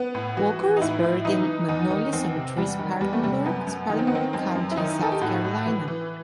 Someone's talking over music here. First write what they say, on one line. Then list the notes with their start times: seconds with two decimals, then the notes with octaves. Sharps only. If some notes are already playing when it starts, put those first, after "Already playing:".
Walker is buried in Magnolia Cemetery, Spartanburg, Spartanburg County, South Carolina.
Already playing: B3
0.15 A2
0.37 E3 F#4
0.59 E3
0.77 D#4
0.81 A2 E4
1.03 A2
1.25 E3 D#4
1.47 E3
1.69 E2 D#4
1.91 D#3
2.13 E2 C4
2.36 C3
2.57 E2 G3
2.79 D#3
3.01 E2 G3
3.13 A3
3.23 C3 G3
3.46 F#2 B3
3.67 F#2
3.89 D#3 D#4
3.99 C4
4.07 B3
4.12 D#3 C4
4.33 F#2 C4
4.55 F#2
4.71 E4
4.77 D#3 D#4
4.99 D#3 A4
5.12 G4
5.21 A2 F#4
5.44 A2
5.66 E3
5.88 E3